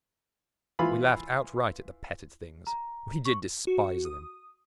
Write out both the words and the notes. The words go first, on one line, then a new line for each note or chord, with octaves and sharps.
We laughed outright at the petted things; we did despise them!
E3 F4 B5
A#5
C#6
F#4
D#6